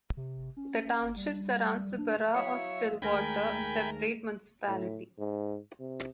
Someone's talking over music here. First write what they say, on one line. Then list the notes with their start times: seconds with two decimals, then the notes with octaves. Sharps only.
The township surrounds the borough of Stillwater, a separate municipality.
0.17 C3
0.57 C#4
1.16 G3
1.98 D4
2.34 F#3 E4 C#5 E5 F5
3.02 D#2 G#3 A3 G#4 A#4 G5 G#5 B5
4.68 A2
5.19 G#2
5.80 C3